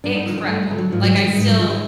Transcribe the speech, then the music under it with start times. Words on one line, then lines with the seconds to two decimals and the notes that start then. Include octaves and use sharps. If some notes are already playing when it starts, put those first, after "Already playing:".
incredible, like, I still
0.04 G2 D4
0.15 D#4
0.26 F3 D#4
0.30 D3
0.38 D4
0.48 G2 A3
0.63 G#3
0.71 D3 F3
0.78 F#3
0.92 G#2 F3
1.03 F#3
1.15 D#3 G3
1.26 G#3
1.37 G#2 G#3
1.47 F#3
1.59 D#3 F3
1.70 G#3